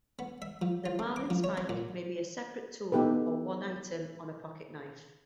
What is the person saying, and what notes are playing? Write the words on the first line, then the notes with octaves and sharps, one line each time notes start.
The marlinspike may be a separate tool or one item on a pocket knife.
B3
E5
F3
F4
C4
D6
F3
C#5
C4
A#2
B3 D#4 G4 A4 B4